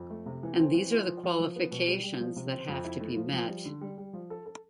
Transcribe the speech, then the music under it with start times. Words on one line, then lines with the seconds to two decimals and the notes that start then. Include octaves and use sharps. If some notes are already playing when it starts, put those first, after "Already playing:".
And these are the qualifications that have to be met.
Already playing: F2
0.10 A3
0.26 C3
0.43 E3
0.59 C4
0.74 E3
0.91 F4
1.08 F3
1.23 F3
1.40 F3
1.56 B3
1.72 B2
1.87 G3
2.04 G3
2.20 F3
2.36 C3
2.52 C4
2.69 F2
2.84 E4
3.01 A3
3.16 F3
3.33 F3
3.49 G3
3.66 D3
3.81 G3
3.98 G3
4.13 F3
4.30 A4
4.46 A4